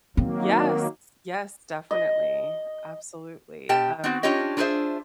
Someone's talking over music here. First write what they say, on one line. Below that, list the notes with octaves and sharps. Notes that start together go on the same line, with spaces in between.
Yes. Yes, definitely. Absolutely. Um,
D#3 F#3 A#3 C4
D#5
B2 G4 G5 A5
B3 C4 F#4
C#4 D4 F4 G4 C#5 D#5
D4 F4 G#4 B4 C5 E5